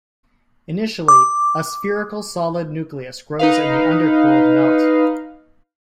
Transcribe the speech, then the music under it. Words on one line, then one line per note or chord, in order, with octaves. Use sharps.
Initially, a spherical solid nucleus grows in the undercooled melt.
D6
D#4 B4 F5